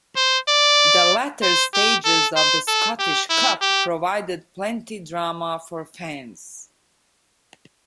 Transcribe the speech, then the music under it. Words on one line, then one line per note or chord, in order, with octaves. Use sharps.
The latter stages of the Scottish Cup provided plenty drama for fans.
C5
D5
C5
G4
A4
C5
A4
G4
E4
G4